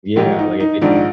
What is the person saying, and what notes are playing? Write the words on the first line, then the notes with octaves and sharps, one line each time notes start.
Yeah, like, if they
A#1 G#2 D#3 G4
D#4
D#4
A#1 G#2 D#3 D4